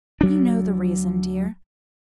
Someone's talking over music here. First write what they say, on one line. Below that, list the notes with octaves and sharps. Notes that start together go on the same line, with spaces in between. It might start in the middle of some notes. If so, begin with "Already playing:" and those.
'You know the reason, dear.
D2 F#3 D4